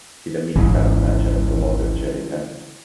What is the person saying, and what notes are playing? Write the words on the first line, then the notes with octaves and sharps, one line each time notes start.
He then meets talent manager and promoter Jerry Brandt.
G#1 C#2 C#3 E3